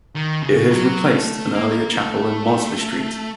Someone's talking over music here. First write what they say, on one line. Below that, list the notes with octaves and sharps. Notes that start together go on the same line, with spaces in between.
It has replaced an earlier chapel in Mosley Street.
D#3
C#3
F#3
A3
A#3
A3